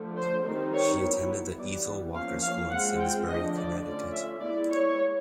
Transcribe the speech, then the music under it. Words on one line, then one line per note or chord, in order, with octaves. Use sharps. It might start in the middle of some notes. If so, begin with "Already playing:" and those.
She attended The Ethel Walker School in Simsbury, Connecticut.
Already playing: D3 F3 A3
C5
D#3 G3 C4 D#4
C#5
F#3 B3 E4
E3 G3 B3 D5
F3 A#3 C#4 F5
F5
G#3 C4 F4 F#5
G5
D3 F3 A3 D4 D#5
D5
A3 C#4 F4 D5
E5
G#3 B3 E4 D5
C#5